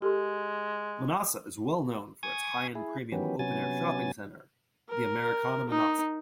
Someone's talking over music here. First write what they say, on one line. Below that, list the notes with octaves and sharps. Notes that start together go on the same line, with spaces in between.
Manhasset is well known for its high-end premium open-air shopping center, the Americana Manhasset.
G#3 G4 A4 C6
G#5 C#6 D#6 G#6
E4 G#4
D#3 E3 F#3 B3 C#4 G4
C3 F#3 B3 C#4 G#5 A6
A#4
D#4